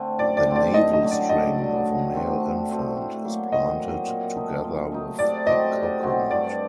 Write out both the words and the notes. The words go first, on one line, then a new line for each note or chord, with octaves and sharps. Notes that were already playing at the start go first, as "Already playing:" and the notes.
The navel-string of a male infant is planted together with a coconut.
Already playing: D3 A3 C4
F#2 D5
D5
D3 A3 C4
D5
A2 D#5
D#5
F#3 A3 D4
D5
A2 D#5
F#3 A3 D4
D3
A3 C4 F#4
D3
A3 C4 F#4
A2
F#3 A#3
A2 D#5
F#3 A#3
A#2
A3 D#4
A#2
A3 D#4
C3 D5
F#3 C4 F#4 D#5
C3
F#3 C4 F#4
G2 D5